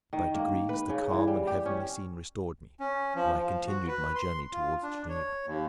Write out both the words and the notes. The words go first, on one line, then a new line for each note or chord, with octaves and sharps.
By degrees the calm and heavenly scene restored me, and I continued my journey towards Geneva.
D#3
A#3
B4
C#3
E3
G3
G4
C#4
C#4
F3
F3
F#4
B4
C6
F4
D4
C#5
D#2